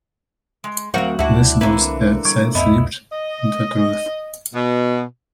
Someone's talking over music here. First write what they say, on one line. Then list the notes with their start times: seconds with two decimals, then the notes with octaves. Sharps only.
This was a side-slip into truth.
0.64 G#3
0.94 D2 F#3 C4 F#4 A#4 F5
1.19 D2 G3 D4 E4 F#4 E5
1.61 C2 D3 E3 A#3 C4 E4 B4
2.25 G3 C#6 G#6 D7
2.55 C#2 F#2 B3 C#4 E4 D#5
3.11 D#5
4.54 B2